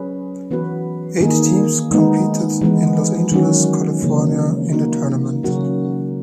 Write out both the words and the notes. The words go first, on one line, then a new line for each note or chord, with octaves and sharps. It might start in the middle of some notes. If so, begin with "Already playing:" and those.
Eight teams competed in Los Angeles, California in the tournament.
Already playing: F#3 C#4 G#4 B4
E3 B3 F#4 B4
D#3 A#3 D#4 G#4
D#3 G#3 B3 D#4
E3 G#3 B3
D#3 F#3 C#4 F#4
C#3 E3 A#3
A#3 D#4 F#4
C#3 F#3 C#4 F#4 A#4